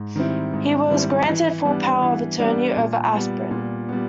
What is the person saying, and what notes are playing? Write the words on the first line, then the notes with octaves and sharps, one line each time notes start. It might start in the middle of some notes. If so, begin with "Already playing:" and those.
He was granted full power of attorney over Aspirin.
Already playing: G#2
D#3 G3 C4 E4
G#2
D#3 G3 C4 E4
E3
G3 B3 D4
E3
G3 B3 D4
A#2
G3 B3
A#2
G3 B3